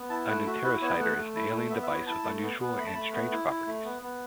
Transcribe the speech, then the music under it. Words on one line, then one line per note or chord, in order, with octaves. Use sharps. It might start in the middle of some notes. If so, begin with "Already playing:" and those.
An interocitor is an alien device with unusual and strange properties.
Already playing: B3
E4 A5
A3 F#5
F#4 E5
E4 B4
B3 C#5
A3 F#5
A3
E4
A3
B3 E5
E5
E4
C#5
E4 A5
A3
B3
B3
A3 B5
A5
A3 B5
B3
E4
E4
A3
B3
B3